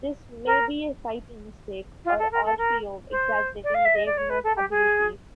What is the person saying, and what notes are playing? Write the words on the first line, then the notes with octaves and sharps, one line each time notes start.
This may be a typing mistake or Orfeo exaggerating Ravenor's abilities.
A#4
F4
A4
A#4
A4
A#4
C5
D5
F5
E5
D#5
D5
C#5
B4
A4
G4
G#4